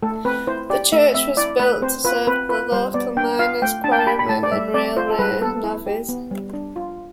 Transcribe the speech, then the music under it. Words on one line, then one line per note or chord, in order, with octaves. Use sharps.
The church was built to serve the local miners, quarrymen and railway navvies.
A3 A4
C4 B4
E4 C5
G4 D5
A3 E5
C4 E5
E4 D5
A3 B4
C4 C5
F4 B4
C4 B4
F4 B4
G3 C5
B3 D5
D4 G5
F4 F5
A3 G5
D4 A5
G5
A5
G4 B5
B5
A3 A5
D5
G3 E5
C4 D5
F4 C5
A4
G3 B4
B3 A4
E4
G4
B3
G3
D4
F4